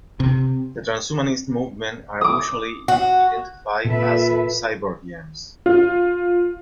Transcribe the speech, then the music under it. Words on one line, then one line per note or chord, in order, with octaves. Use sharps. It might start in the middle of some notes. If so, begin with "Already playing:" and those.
The transhumanist movement are usually identified as Cyborgians.
C3
D6 D#6
F#4
A#2 A4 B4 E5
F4